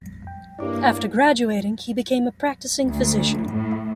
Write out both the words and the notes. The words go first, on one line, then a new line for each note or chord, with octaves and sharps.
After graduating, he became a practicing physician.
F2 G5
G2 A#3 E4 G4 C#5 D5 D6
D2
A2